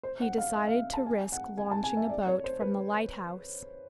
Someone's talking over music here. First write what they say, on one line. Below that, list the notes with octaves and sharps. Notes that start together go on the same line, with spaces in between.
He decided to risk launching a boat from the lighthouse.
C5
F#5
F5
E5
F5
A5
G#5
F#5
G#5
A5
G#5
E5
D5
C#5
C5
B4